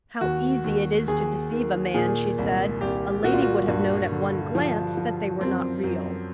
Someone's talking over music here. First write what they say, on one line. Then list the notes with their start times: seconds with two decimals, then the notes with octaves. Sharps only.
"How easy it is to deceive a man," she said; "a lady would have known at one glance that they were not real."
0.21 D#2 F#4
0.64 D#2
1.08 D#2 G#4
1.51 D#3
1.94 A#2 G#4
2.38 C2
2.81 C2 G4
3.24 A#2 F#4
3.34 F4
3.42 F#4
3.68 G2
4.12 D3
4.55 F3
4.97 F3
5.41 F#2 C4
5.84 F#2